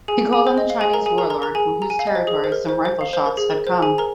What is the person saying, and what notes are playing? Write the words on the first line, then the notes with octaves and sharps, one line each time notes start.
He called on the Chinese warlord from whose territory some rifle shots had come.
G#4 G#5
G#4 G#5
C5
D#5
F5
G#4 G#5
A#4 A#5
G#4 G#5
A#4 A#5
A#4 A#5
A#4 A#5
G#4 G#5
A#5
G#5
F5
D#5
C5
G#4
C5
A#4
C5
C5
F5
C5
A#4
G#4
A#4
C5
G#4 G#5
A#4 A#5